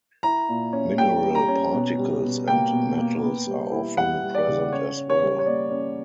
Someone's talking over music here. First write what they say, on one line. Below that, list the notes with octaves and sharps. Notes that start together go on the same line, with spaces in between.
Mineral particles and metals are often present as well.
E4 A#5
A#2
C#4
G3 G5
G3
A#5
C#4
B2
G3
B2
A#3 G5
B2
A#3
B3
G3
E4
G3 F#5
G3
D5
C#3
C#4 C#5
C#4
C#5
G3
C#5
A#3 D5
C#4